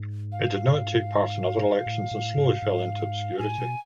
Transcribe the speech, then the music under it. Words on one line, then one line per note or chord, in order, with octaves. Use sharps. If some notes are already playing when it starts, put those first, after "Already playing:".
It did not take part in other elections and slowly fell into obscurity.
Already playing: G#2
F5
A2
A2
G#2
G#2
A2 G#5
B2